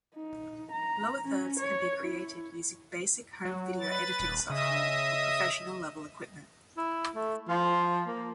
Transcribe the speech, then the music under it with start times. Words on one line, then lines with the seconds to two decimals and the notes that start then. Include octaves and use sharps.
Lower thirds can be created using basic home-video editing software or professional-level equipment.
0.16 D#4
0.72 A#5
1.25 C#4
1.60 C#5
2.04 E4
3.45 F#3
3.80 B4 A6
4.20 D#1
4.50 C#3 D#5 E5 D#6
6.77 E4
7.15 A3
7.49 F3 F4
8.07 A#3